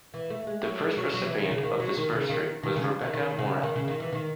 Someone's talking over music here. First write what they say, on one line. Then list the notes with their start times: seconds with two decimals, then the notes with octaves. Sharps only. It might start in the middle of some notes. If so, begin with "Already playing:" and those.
The first recipient of this bursary was Rebecca Morelle.
0.14 E3
0.30 A3
0.47 G#3
0.63 F#3
0.80 G#3
0.97 F#3
1.14 F#3
1.26 E3
1.39 D#3
1.51 C#3
1.63 D#3
1.80 F#3
1.97 D#3
2.13 C#3
2.30 D#3
2.63 D#3
2.76 C#3
3.01 D#3
3.14 D#3
3.39 C#3
3.63 D#3
3.76 C#3
3.88 D#3
4.00 E3
4.13 D#3